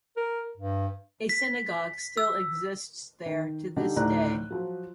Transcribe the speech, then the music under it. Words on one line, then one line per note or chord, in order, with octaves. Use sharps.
A synagogue still exists there to this day.
A#4
G2
B6
E6
D#3
D3 G3 D#4
D2 A2 D#4 D5 A#5 F#6
F3 F#3